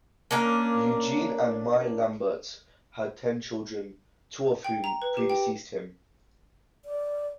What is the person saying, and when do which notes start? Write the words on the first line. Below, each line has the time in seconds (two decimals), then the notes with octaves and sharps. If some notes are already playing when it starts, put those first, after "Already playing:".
Eugene and Mai Lambert had ten children two of whom predeceased him.
0.31 A#3 C#4 D4 A#4
4.64 G5
4.84 A#5
5.02 B4
5.17 G4
5.30 G5
6.85 D5